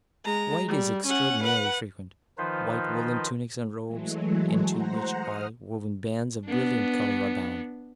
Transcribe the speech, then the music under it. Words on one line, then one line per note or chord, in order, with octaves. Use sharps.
White is extraordinarily frequent; white woollen tunics and robes into which are woven bands of brilliant colour, abound.
G#3 A#5
G3
C#4 F#5
B4 F#5
D#3 F3 D#4 F4 B4 C5
E3 F#3 G#3 A3
C5 F#5 A#5
D#6 F6
B3 D4